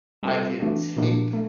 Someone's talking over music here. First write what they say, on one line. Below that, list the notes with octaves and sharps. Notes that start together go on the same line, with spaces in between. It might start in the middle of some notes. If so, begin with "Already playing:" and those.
I can take
G3 C4 F4 A4
E3 A3 D4 F#4
A#2 F3 A#3 D4 F#4
A3